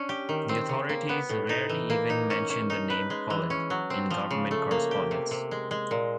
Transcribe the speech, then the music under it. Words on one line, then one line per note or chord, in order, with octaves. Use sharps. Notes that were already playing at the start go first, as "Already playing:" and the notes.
The authorities rarely even mentioned the name "Poland" in government correspondence.
Already playing: C#4 D4
G4
D#3
C4
C#3
A#3
B3
A2
D#4
E3
A#3
D#4
C#4
C#4
D#4
B4
G#3
E3
C#4
F#3
C4
F3
C#3
A3
A#3
G4
C3
C3
G#3
G#3
A#2